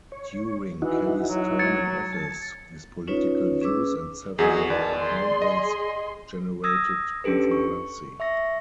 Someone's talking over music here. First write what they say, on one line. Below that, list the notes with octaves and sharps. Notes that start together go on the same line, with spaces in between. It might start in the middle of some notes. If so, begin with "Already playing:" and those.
During Kelly's term in office, his political views and several appointments generated controversy.
C#5
E3 D#4 E4 F#4
F#3
G#6 A6 C#7
A5
C#4 D#4 F4 B4 C#5
C#4 G#4 B4 D6 E6
E2 F#4 G#4 D#5
E2 D#3 E3 D5 A5
G#4 C6
D#5
D#6 E6 G#6 A#6
C#4 D4 G4 A4 B4
C#6
E5 C#6 A#6